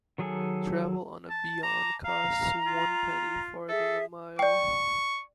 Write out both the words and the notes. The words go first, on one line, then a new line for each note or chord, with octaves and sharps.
Travel on a 'Bian' cost one penny farthing a mile.
D#3 F#3 G#4 A4 G#5
A5
A5 A#5 D6
F5 A#5
F4
G#4 A4 E5
D5 G5 C#6